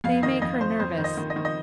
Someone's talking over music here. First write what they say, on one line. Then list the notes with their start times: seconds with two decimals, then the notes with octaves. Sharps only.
They make her nervous.
0.04 F2 F5
0.22 D#3 D#5
0.42 F2 D#5
0.61 F2 C5
0.79 F2 C5
0.98 D#3
1.04 D#5
1.17 D#3
1.30 D#5
1.36 D#3
1.45 D#5